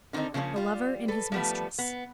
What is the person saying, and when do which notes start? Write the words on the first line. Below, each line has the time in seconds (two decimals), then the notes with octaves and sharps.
A Lover and His Mistress.
0.13 D3 D#3 A#3 C4 D#4
0.34 C#3 F3 A#3 C4 C#4
0.56 G3 F4
1.08 A4 B4
1.32 F3 G3 A3 B3 B4
1.78 B3